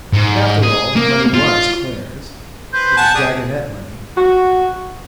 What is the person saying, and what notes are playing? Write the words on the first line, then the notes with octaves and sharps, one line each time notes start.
And after all, the money was Clare's--it was Dagonet money.
G#2
G#4
A#3
F4
B4 C5 G6
F#5 G#5 A5
G3 G#4
F#4